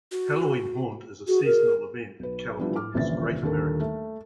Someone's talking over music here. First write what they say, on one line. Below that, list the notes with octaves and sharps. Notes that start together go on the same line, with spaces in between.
Halloween Haunt is a seasonal event at California's Great America.
F#4
F#4 G#4
A#4
B1 B4
F3 G3 B3 D4 E4 F4
D6 F6
D#1 A#1 A#2 C#3 E3 A6
D#1 D#2 D3 D4 A4 A#4
A3